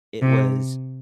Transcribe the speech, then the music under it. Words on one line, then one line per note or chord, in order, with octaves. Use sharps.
it was
C3